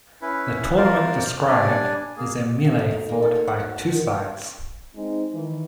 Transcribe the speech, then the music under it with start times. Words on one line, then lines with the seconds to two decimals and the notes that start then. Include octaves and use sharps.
The tournament described is a melee fought by two sides.
0.22 C#4 E4 B4
0.76 F4 A#4 C5 D5
1.48 G3 D4 D5 G#5
2.17 A#3 G#4
2.64 A3
2.79 B2
2.91 D#4
3.09 A#3
3.22 A4
3.35 C#5
3.47 F#5
3.60 F#4
3.76 A5
3.91 D#3
4.95 G#3 C4 D#4
5.33 D#3 E3